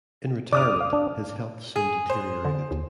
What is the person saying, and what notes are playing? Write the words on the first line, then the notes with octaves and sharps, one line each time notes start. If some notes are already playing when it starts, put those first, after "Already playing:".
In retirement, his health soon deteriorated.
D5 D6 D#6 F6
F5
D4
G#4
C5
D3
D#2